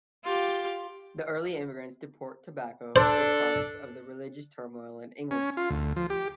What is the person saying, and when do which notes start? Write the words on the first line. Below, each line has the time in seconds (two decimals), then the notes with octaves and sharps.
The early immigrants to Port Tobacco were products of the religious turmoil in England.
0.24 F4 G4
2.96 D4 A4 C5
5.31 C#4
5.57 F4
5.70 D2
5.96 F3
6.10 G4